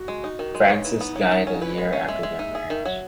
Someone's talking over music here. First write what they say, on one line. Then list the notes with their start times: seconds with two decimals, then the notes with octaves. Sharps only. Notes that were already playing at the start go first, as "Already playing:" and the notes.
Frances died a year after their marriage.
Already playing: F#4
0.08 G#3
0.24 D#4
0.39 D#3
0.55 G#3
0.70 D#4 C#5
0.85 E3
1.01 B3
1.16 F#3
1.32 F#3
1.47 C#4
1.62 E4 B4
1.74 G#3 D#5
1.93 C#4 E5
2.08 G#3 E5
2.23 G#3
2.39 D#4
2.55 G#4
2.70 D#3
2.85 F#3